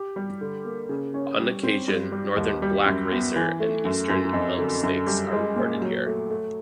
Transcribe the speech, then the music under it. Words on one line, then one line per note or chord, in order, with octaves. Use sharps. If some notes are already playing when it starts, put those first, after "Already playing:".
On occasion northern "black" racer and eastern milksnakes are reported here.
Already playing: G4
G3
D3
A#3
C#3
C#4
G3
C4
G2
G3
D#2
G3
F#2
B3
E3
A3
F#2
F#2
F2
D3
F#2
G3
G#3
A#2
F#3
A3
A3